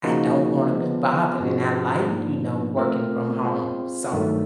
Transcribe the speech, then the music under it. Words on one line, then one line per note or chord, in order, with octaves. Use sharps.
I don't wanna be bothered, and I like, you know, working from home. So
C#3 F3 A#3 D#4 F#4
F3 G#3 B3
G#2 F3 G#3 C#4 F#4
G#2 F3 A#3 D4
A3 C4 F4 A#4
G#3 C4 F4
G2 D#3 F#3 A3